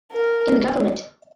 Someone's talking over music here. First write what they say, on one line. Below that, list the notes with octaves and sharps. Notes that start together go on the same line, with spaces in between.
In the Govt.
A#4